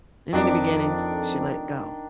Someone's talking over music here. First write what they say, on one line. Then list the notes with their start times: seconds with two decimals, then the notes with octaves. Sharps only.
and in the beginning, sh she let it go,
0.33 F2 D#3 D4 D6